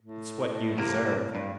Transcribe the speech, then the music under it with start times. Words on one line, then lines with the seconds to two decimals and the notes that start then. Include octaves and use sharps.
"It's what you deserve."
0.02 A2
0.78 C3 A#3
1.35 G2